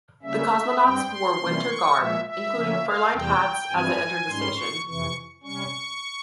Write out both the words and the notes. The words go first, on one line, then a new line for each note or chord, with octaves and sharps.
The cosmonauts wore winter garb, including fur-lined hats, as they entered the station.
C#3 G3 A#3 C#4 E5
G2 G3 C4 G5
C6
C3 E3 G3 A#3 C#4
C#6
A#2 F3 G#3 E5
E5
C#3 F3 A#3 C#4
F5
E2 C3 G3 G5
G2 E3 G3 C4 G#5
G#2 G3 C#4 C6
C#6
F2 C3 E3 C#6
C3 G3 C#4 C#6